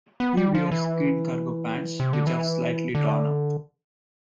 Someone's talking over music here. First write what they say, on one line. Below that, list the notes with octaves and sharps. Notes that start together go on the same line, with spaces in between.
He wears green cargo pants, which are slightly torn up.
B3
G3
F3
E3
C3
D3
E3
D3